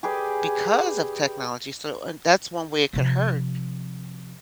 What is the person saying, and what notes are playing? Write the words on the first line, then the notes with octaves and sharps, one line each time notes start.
because of technology, so and that's one way it could hurt,
G4 G#4 B4 D5
C3 F3